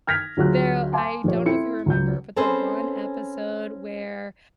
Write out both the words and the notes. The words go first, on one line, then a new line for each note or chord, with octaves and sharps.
there I don't know if you remember, but the one episode where
F6 G#6 A#6 B6 F7
D2 F#3 F4 F#4 G#4 F#6
F5 G#5 A5 C6 D6
A#1 F3 G4 C#5
C4 E4 A4 C#7
C#2 F#3 G6
C4 C#4 G#4 A4 B4 C5